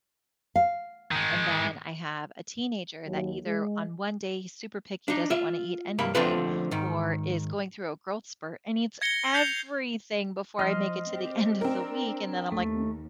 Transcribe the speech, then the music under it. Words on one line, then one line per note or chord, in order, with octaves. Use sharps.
And then, I have a teenager, that either on one day, he's super picky, doesn't wanna eat anything, or is going through a growth spurt and eats everything before I make it to the end of the week, and then I'm like,
F5
D#3 G#3
D#2 F#3
G#3
D4 D#4
F4 E5
C2 G2 A#3 B5
D3 F3 A3 C4 F4 B4
G#2 D#3
G#6 A#6 C#7 G7
G6 G#6 C7 C#7 F7 G7
F3 D#5 C6 F6
C4 G4
C4 D4 A#4
D#2 A3